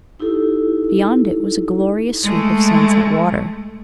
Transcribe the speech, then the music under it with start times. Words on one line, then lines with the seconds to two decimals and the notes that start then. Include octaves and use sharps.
Beyond it was a glorious sweep of sunset water.
0.20 D#4 E4 G4 A4
2.23 G#3 A3